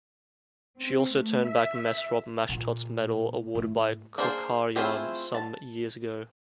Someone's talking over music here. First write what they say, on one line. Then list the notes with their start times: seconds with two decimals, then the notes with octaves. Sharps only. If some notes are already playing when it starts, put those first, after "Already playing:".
She also turned back Mesrop Mashtots Medal awarded by Kocharyan some years ago.
0.79 C4
1.15 A3
1.45 E5
2.49 A#2
3.55 A2
4.18 A#3 D4 G#4 C5
4.76 A3 C4 E4 F4 G#4
5.34 A5